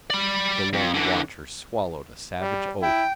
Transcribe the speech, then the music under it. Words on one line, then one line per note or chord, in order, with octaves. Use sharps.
The lone watcher swallowed a savage oath.
D5 B5
F2
D3 E3
G3
E4 G5